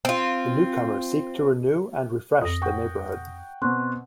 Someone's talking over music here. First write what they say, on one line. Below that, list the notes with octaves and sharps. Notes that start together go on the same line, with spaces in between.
The newcomers seek to renew and refresh the neighborhood.
C4 F4
F2 D#6 A#6
F#5 G5 C#6
B2 C4 C6 C#6 F#6